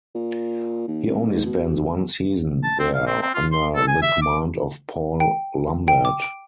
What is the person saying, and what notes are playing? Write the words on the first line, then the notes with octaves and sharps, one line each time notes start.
He only spends one season there, under the command of Paul Lambert.
A#2
D#2
C2
G#2
B2
A5
C4
F5
C4
C4
F4
C6
A4
G#5
E5
D6
G5
G5
D6
D7